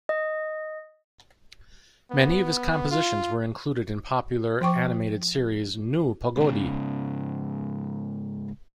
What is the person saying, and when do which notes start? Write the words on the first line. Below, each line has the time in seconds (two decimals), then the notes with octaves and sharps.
Many of his compositions were included in popular animated series Nu, pogodi!
0.09 D#5
2.11 B3
2.91 F4
4.61 F3 C5 G5 C#6 D6
6.37 G#2 C#3